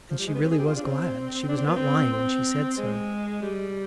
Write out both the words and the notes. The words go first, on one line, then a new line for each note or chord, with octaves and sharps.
And she really was glad, she was not lying when she said so.
F3
G3
G#3
B3
C4
G#4
G4
F4
D4
C4
D4
C4
B3
C4
C4
G#3
G3